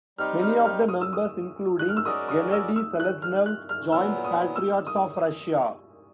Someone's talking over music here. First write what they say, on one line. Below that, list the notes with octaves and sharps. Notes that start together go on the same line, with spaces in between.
Many of the members including Gennady Seleznev joined Patriots of Russia.
G3 C4 D#4 G4 F6
F6
F6
D#6
E6
D#6
F#6
F6
E6
G#3 C#4 F#4 A#4 D5 D#6
D#6
E6
E6
F#6
F6
F#6
F6
A#2 F#3 B3 E6
D#6
E6
D#6